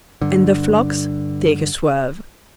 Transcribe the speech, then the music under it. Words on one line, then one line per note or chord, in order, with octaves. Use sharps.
And the flocks take a swerve.
G2 D3